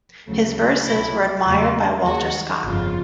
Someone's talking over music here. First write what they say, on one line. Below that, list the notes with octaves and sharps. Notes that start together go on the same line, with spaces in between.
His verses were admired by Walter Scott.
D2 C#3 F#3 A3
C2 B2 F#3 A3 E4
E2 C#3 F#3 A3 F4
D#2 D#3 G#3 F#4
G1 F2 C#3 F4